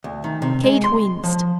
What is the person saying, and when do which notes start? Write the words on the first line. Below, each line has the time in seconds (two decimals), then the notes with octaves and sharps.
Kate winced.
0.04 D2
0.24 D#3
0.42 C3
0.64 G#3
0.84 C6
1.24 F3